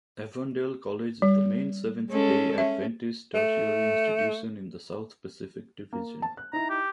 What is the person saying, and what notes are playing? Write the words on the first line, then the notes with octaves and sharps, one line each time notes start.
Avondale College is the main Seventh-day Adventist tertiary institution in the South-Pacific Division.
G3
G#3 C#4 A4
C#4 E5
A3
A#3
A5
F#6
D#4 E4 A#5
G4